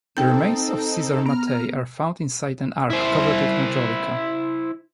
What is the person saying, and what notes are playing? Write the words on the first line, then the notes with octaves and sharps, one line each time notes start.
The remains of Cesare Mattei are found inside an ark covered with majolica.
C4 D#4 A4 G5 G6
B3 A#5 F6
E4 C5